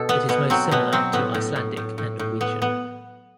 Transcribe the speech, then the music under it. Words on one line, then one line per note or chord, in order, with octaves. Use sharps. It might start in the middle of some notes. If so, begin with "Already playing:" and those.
It is most similar to Icelandic and Norwegian.
Already playing: B2 A4
B3
B2 B3
F#3 C4
B2 B3
F#3 C4
A2 B3
A2
A2
A2
A2
A2
B3
B3